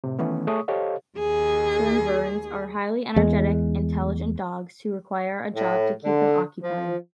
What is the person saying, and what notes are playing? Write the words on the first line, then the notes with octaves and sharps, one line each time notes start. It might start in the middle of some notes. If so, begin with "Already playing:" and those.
Tervurens are highly energetic, intelligent dogs who require a job to keep them occupied.
A2 C3
D#3 E3 A3 B3 C#4
A3 G#4 C#5 C#6 D#6
G4 A4 C5 C#5 D#5 F5
D#2 G#4
E2 G#3
A2
D3
F3